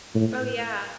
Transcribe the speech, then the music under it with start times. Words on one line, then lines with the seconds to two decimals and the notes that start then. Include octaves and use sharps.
Oh, yeah.
0.15 A2